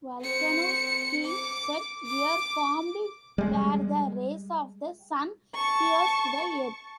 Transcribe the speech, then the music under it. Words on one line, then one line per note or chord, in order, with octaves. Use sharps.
Volcanoes, he said, were formed where the rays of the sun pierced the earth.
C4 C#7
D6
D6
G3 G#3
A5 C#6